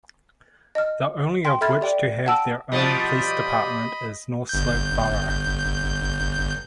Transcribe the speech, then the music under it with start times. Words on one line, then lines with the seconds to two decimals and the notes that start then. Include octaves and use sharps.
The only of which to have their own police department is North Slope Borough.
0.75 D#5 F6
1.45 G5 C6
1.61 A4 E5 B5 F6 G#6 A6
1.81 G4 D5 G5
2.26 F#5 G5 A5 E6 D7
2.72 B2 F3 G3 D#5 B5
4.49 G1 G6